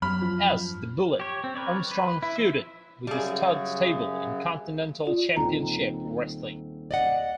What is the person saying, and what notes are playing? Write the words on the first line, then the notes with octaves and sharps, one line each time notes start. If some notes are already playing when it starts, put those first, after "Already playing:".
As "The Bullet", Armstrong feuded with the Stud Stable in Continental Championship Wrestling.
F#2 F#3 G3 B3 B5 F6
F3
G4 C#5
C4
A#4 B4 C#5 D5
B4
E4
F3 E5
F#2 C#3 G3 G#4
F4 D5
D#1 D#3 C4 A#5
D5 D#5 F#5